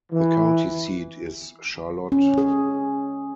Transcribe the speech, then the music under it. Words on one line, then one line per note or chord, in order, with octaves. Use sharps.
The county seat is Charlotte.
E3
C#4
G#4